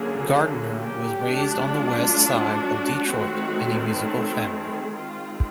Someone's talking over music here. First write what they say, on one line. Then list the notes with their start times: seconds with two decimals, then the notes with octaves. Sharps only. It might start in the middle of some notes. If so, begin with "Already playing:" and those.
Gardner was raised on the west side of Detroit in a musical family.
Already playing: D3 F#3 A#3 C#4 G#4
0.74 G4
1.21 F#3 A3 D4
1.67 F4
2.61 F#4
3.08 D#3 F#3 A3 C4
4.48 G#4
4.94 D#3 G#3 C4 F4